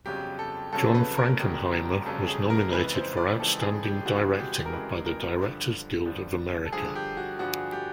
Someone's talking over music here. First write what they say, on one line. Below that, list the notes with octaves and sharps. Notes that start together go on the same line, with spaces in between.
John Frankenheimer was nominated for Outstanding Directing by the Directors Guild of America.
G1 F2 C#3 F#3 G4
A4
G1 F2 C#3 F#3 A4
B4
A#4
G1 F2 C#3 F#3
G1 F2 C#3 F#3 A4
G#4
A#4
F2 C#3 E3 G#3 B4
C5
D5
F2 C#3 E3 G#3 A4
G#4
G4
F2 C#3 E3 G#3 F#4
G4
A#4
F2 C#3 E3 G#3 B4
A#4
G2 D3 F3
G2 D3 F3
A4
G2 D3 F3 G#4
G4
F#4
G2 D3 F3 F#4
G4